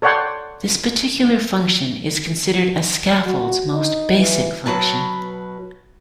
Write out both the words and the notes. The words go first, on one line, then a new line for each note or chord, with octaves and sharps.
This particular function is considered a scaffold's most basic function.
A4 C#5 D5 F#5 G5 C6
F#4
D#4
E3
B2 F3 F#3 B4 A5